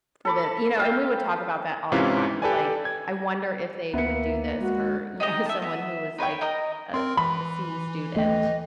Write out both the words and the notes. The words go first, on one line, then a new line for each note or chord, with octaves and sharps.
for the" you know, and we would talk about that all the time, like, I wonder if they would do this for, you know, someone who was, like, uh, a C student
A4 B5 D6
E5 F5 G5
G#2 C3 E3 C#4 E4 F4
G4 A4 B4 D5 G#5
G#6
D2 A#3 B3 E5 C#7
G#3 F#4
D#4 G4 D#5
E5 A5
B3 E5
D#4 B4 C#5 G5
D#4 A#4 D#5
C4 A#4 C6
E3 B5
D#2 A3 D#5 G5